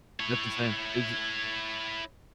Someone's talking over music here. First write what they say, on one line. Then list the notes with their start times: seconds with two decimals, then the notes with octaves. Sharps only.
That's insane. Is i
0.20 E4 C#5